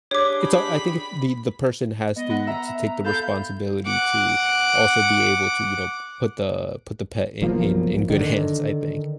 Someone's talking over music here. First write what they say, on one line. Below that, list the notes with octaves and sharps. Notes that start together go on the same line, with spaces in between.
it's, uh, I think the the person has to to take the responsibility to also be able to, you know, put the put the pet in in in good hands, I think.
D4 G4 G#4 C#5 D6
B5
B3 D#5
F#5 B5
E5 A#5
A4 F5 B5 G6
F#5 D6
B1 F3 A#3
D3 D#3